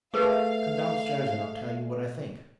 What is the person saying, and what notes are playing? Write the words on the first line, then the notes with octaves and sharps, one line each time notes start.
"Come down-stairs, and I'll tell you what I think."
A3 G#4 A#4 B4 F5